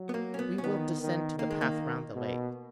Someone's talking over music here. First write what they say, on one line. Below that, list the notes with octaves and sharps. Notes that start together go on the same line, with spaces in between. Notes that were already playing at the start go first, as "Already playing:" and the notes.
"We will descend to the path round the lake."
Already playing: F#3
B3
A#3
C#4
B3
C#4
D#3 B3
D#3
D#3 A#3
G#3
A#3
B2